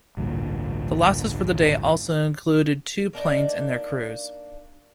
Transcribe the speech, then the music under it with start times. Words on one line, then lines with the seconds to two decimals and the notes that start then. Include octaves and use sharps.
The losses for the day also included two planes and their crews.
0.17 A1 D2 G2 A#2
3.13 A#3 D4 D#4